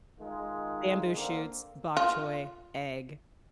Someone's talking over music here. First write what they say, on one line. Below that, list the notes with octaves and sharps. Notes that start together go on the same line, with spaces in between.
Bamboo shoots, bok choy, egg
D#3 G#3 F4
D3 A#3 C4
F4